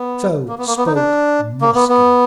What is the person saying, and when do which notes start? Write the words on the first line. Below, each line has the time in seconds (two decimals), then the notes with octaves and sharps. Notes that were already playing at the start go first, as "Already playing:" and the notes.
So spoke Moscow....
Already playing: B3
0.48 A#3
0.58 B3
0.67 A#3
0.77 B3
0.86 D#4
0.95 D4
1.61 A#3
1.75 B3
1.89 B3